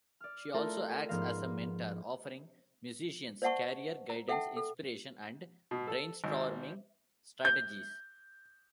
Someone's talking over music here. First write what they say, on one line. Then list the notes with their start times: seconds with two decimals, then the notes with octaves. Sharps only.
She also acts as a mentor, offering musicians career guidance, inspiration and brainstorming strategies.
0.20 D5 F6
0.54 A3 E4 F4 A4 A#4 C5
1.08 G#2 F3 B3 C5 F5 A#6
3.42 C5 D5 E5 F#5 A5 C#6
4.10 A#5
4.28 A4 E5 F#5 G5 A5
4.57 A4
5.71 B2
5.87 A4
6.24 G#1
7.45 G6